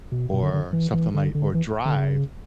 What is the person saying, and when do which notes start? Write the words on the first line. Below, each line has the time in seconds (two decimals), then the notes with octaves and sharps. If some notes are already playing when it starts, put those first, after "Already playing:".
or something like or drive
0.12 B2
0.33 B2
0.43 D3
0.54 D3
0.73 E3
0.93 E3
1.14 D3
1.35 D3
1.55 E3
1.85 D3
1.95 C#3